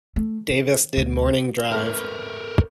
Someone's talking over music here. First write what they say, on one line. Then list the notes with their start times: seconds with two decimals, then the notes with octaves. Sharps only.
Davis did morning drive.
0.16 A3
0.49 D#3
0.97 D2
1.72 G#1 A3 A#4 B4 F6